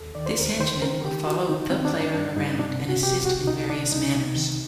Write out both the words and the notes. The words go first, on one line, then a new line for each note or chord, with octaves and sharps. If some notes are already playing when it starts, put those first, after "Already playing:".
This henchman will follow the player around and assist in various manners.
Already playing: D#2 A4
D#3 D5
C5
D#2 A#4
D#3 C5
D#3 A#4
D#3 G4
D#3 F#4
D#3 D#4
D#3 C4
D4
G2
D4
G2 D4
G2 D#4
C3 D4
C2
F#4
C3 G4
C2 F#4
C2 D#4
C3 D4
C2 D#4
C3
D#3